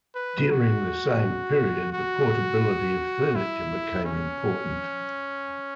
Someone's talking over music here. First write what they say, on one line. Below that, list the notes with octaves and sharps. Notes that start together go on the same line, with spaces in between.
During the same period the portability of furniture became important.
B4
F#4
F#4
E4
C#4